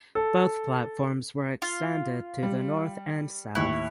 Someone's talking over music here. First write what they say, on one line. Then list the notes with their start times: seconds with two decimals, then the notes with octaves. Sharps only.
Both platforms were extended to the north and south.
0.15 A4
1.62 F4
2.43 G3
3.55 D#2 A2 E4 C#5 F#6